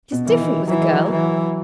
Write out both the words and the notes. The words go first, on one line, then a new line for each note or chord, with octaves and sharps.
It is different with a girl.
B2
E3
D#3
E3 F#3
G#3
F#3
E3